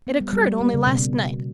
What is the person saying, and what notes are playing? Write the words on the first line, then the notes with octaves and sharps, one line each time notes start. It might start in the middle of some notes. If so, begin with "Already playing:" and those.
It occurred only last night.
B3
G3
G3
G3
A#3
C#3
B2